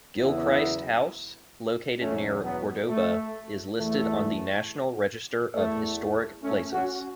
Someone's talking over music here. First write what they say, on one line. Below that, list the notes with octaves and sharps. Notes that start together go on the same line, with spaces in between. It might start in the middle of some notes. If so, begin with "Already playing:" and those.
Gilchrist House, located near Cordova, is listed on the National Register of Historic Places.
E2 C#3 F#3 B3 E4
E2 B2 F#3 A3 C#4
F#3 B3
A3
E2 E3 A3
E2 E3 A3
A3 C#4
C#4 F#4